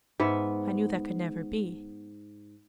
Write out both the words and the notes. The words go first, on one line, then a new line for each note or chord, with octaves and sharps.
I knew that could never be.
G#2 B3 E5